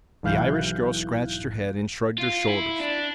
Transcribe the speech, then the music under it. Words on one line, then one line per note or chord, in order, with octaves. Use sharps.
The Irish girl scratched her head and shrugged her shoulders.
B1 G#2 E3 F5 F#6 G6
F4
E4
D4